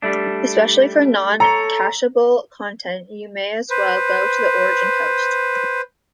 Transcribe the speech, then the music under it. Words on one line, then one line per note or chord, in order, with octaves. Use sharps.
Especially for non-cacheable content, you may as well go to the origin host.
G3 A3 D4
A4 C#5 A#5
B4 C5